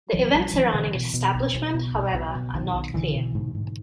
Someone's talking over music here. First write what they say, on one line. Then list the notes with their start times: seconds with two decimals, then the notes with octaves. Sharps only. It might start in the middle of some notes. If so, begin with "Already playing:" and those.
The events surrounding its establishment, however, are not clear.
0.13 B1 E3 F#3
0.34 B1 F3 G3
0.54 B1 E3 F#3
0.73 B2 D3 E3
0.94 B2
1.14 B2
1.35 B1
1.54 B1
1.74 B2
1.94 B1
2.14 B1
2.35 B2
2.54 B1 D#3
2.74 B1
2.94 B1 D3 E3
3.15 B2
3.35 G#2
3.55 G#2